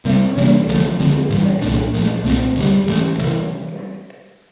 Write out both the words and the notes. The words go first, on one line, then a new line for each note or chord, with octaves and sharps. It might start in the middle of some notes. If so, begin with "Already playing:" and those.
McCoy reveals that he left his communicator on the planet.
C3 G3 C4
C3 E3 G3 A#3
D2 D3 F3 A3
D2 D3 F3 C4
A2 E3 G3
C2 A#2 A3 D4
A#2 F3 A3
C2 A#2 A3 C4
D2 D3 G3
A2 E3 A3
D2 C3 E3